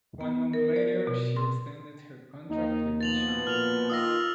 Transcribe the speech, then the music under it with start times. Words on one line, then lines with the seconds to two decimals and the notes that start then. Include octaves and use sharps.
One month later she extended her contract with the channel.
0.21 B3
0.53 A#4
0.76 D5
1.07 B2
1.36 C6
2.50 D#2 D#3 D#4
3.01 B2 F3 B3 A6 F7 F#7
3.47 A#2 F6 F7
3.90 D#3 F4 D#6 E6 A#6